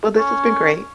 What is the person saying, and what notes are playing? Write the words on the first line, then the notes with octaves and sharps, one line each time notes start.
Well, this has been great.
C#4